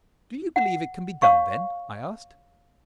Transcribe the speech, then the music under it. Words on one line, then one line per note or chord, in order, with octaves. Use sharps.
"Do you believe it can be done, then?" I asked.
F#5
C#5 F5 C#6